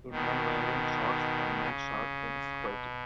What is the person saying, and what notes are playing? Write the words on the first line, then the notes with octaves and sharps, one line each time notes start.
A man wearing shorts and no shirt is squatting.
B2 D#3
C#3
B2